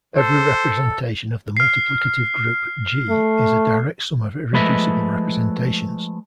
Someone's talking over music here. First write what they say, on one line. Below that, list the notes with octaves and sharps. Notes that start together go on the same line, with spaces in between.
Every representation of the multiplicative group "G" is a direct sum of irreducible representations.
A4 C5
F6 C7
A3
F3 G#3 A3 B4 D#5 E5